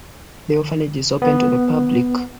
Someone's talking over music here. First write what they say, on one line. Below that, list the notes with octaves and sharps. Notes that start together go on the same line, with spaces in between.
The orphanage is open to the public.
B3